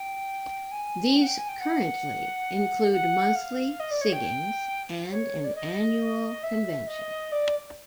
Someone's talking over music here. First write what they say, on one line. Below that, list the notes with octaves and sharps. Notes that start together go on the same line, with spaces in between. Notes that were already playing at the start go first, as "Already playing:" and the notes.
These currently include monthly singings and an annual convention.
Already playing: G5
G#5
G5
F#5
G5
G#5
G5
F#5
F#5
F5
D#5
D5
C#5
G5
C#5
D5
D#5
E5
D#5
D5